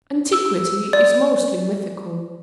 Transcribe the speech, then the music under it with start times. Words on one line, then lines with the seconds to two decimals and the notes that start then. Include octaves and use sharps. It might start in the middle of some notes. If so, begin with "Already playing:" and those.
Antiquity is mostly mythical.
0.33 E6
0.93 D5